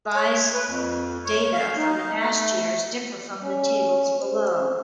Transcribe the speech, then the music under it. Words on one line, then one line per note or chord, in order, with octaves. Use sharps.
Revised data for the past years differ from the tables below.
C#5
B4
F2
C#5
F5
D#4
A3
C#4
C5